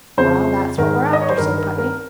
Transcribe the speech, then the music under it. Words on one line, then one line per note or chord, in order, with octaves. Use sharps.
"Well, that's what we're after," said Putney.
F2 C#3 C5
G#2 D#3 A#4
D#5
C#5
C5
G2 D#3 A#4
A#4
A#4